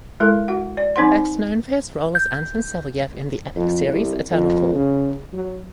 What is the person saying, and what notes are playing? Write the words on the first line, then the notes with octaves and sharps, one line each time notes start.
Best known for his role as Anton Savelyev in the epic series Eternal Call.
G#3 E4 A4 A#4
F#4 F#5
D5
F#3 C4 D#4 C5 F#5 C6
G6
F2
C2
F2
C#3
F#3